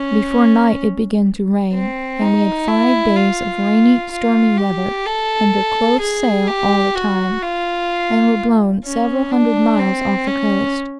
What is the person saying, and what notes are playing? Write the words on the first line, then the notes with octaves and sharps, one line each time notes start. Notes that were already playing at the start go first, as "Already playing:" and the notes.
Before night it began to rain; and we had five days of rainy, stormy weather, under close sail all the time, and were blown several hundred miles off the coast.
Already playing: C#4
C4
D#4
E4
F4
F4
G4
A4
G#4
G4
F#4
F4
C#4
D4
C4
C#4